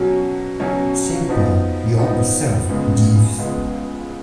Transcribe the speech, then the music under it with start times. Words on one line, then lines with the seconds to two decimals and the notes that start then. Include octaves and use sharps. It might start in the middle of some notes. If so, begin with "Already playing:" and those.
Simple, you observe, Jeeves.
Already playing: B2 F#3 C#4
0.60 B2 F#3 C#4
1.29 F3 B3 D#4
1.99 F3 B3 D#4
2.69 C#2 C#3 G#3 B3
3.38 C#2 C#3 G#3 B3